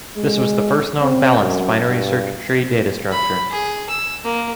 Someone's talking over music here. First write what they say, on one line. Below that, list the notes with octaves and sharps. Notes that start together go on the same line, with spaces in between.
This was the first known balanced binary search tree data structure.
G#3
C4
F#2
G2
B5
G#4
E6
A#3